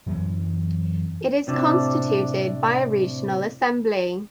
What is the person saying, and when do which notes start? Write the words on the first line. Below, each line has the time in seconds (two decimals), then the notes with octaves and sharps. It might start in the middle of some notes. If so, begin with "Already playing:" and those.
It is constituted by a "Regional Assembly".
0.06 F#2 E3 F#3 G#3
1.47 A2 C3 D4